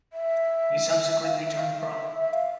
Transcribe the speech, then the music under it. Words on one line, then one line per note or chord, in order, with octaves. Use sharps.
He subsequently turned pro.
E5
F5
E5
F5
E5
E5
F5